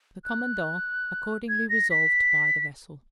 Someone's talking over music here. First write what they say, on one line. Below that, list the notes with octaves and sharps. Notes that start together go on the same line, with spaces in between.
The commandant accordingly resolved to buy the vessel.
F#6
G#6
A#6
B6